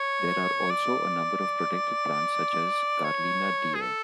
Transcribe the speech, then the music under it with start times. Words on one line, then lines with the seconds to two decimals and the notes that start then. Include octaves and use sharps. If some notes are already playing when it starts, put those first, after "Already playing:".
There are also a number of protected plants such as Carlina diae.
Already playing: C#5
0.71 D5
3.05 C#5
3.75 G#4
3.81 A4